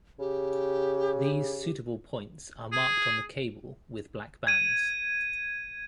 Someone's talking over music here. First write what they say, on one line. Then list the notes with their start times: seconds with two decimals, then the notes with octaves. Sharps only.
These suitable points are marked on the cable with black bands.
0.19 C#3 G4
2.73 G#4
4.47 G#6 D#7